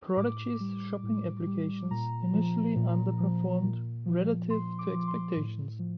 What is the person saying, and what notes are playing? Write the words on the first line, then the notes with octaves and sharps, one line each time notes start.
Prodigy's shopping applications initially underperformed relative to expectations.
A2 D6
G3
A2
G3
A#2 A#5
F3
A#2
F3
A#2
F3
A#2 C6
D6
F3
C6
A2
F3